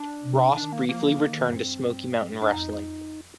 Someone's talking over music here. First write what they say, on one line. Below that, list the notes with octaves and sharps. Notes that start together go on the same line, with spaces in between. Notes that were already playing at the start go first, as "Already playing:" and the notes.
Ross briefly returned to Smoky Mountain Wrestling.
Already playing: D4
C3
D#3 D4
A#3
F3 A#3
D#3
G2 C4
A#3
C4
D4
D4
F2 D#4